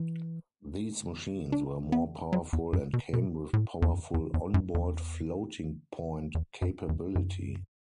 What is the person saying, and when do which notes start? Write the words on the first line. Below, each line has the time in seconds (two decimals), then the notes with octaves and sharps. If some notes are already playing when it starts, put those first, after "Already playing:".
These machines were more powerful and came with powerful on-board floating-point capability.
Already playing: E3
1.52 D4
1.92 B3
2.33 F#3
2.53 E2
2.73 F#2
2.93 B2
3.13 B2
3.53 A2
3.82 E2
3.94 F#2
4.14 E2
4.34 E2
4.54 F#2
4.74 E2
6.35 E2
6.62 F#2
6.89 E2
7.15 F#2